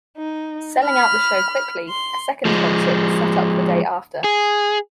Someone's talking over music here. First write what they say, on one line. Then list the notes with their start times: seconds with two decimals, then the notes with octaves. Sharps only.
Selling out the show quickly, a second concert was set up the day after.
0.16 D#4
0.83 B5 F6
1.89 C6
2.45 F3 G#3
4.24 G#4